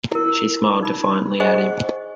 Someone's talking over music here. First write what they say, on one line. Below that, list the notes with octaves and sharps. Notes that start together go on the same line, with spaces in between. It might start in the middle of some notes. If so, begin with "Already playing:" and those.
She smiled defiantly at him.
E4 A#4
D#4 B5
G#4 C5 D#5 F#5 G#5 C#6